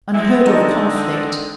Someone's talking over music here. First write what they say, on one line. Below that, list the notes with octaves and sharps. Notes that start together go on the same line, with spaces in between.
Unheard-of conflict!
G#3 C4 E4
D3 D#4 A4 D#5